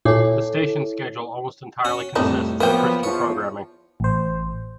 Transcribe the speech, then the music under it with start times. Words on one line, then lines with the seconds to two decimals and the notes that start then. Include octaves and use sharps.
The station's schedule almost entirely consists of Christian programming.
0.05 A#2 D4 E4 A4 C#5 D6 C7
1.85 C#4 F#4
2.16 C2 F2 A2 G3 D4 D#4
2.60 F3 F#3 A#3 B3 A#4 B4 G5
3.03 E2 F3 C#5
4.00 A1 C5